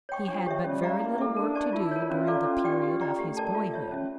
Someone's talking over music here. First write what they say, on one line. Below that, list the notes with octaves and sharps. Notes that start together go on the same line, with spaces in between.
He had but very little work to do during the period of his boyhood.
C#5 G5 C#6
F3 D4
G4 C#5 E5
G3 C#4
G4 D5 F5 A#5
A#3 E4
A4 E5
D4 A#4
D5 A5 C#6
E4 F4
A#4 C#5
C#4 F4
E4 A4 D5 F5
C#4
G4 D5 G5 C#6
G4
D5 G5 A#5 C#6
A3 G4
A#4 D5 A5
F4
C#5 E5
C#4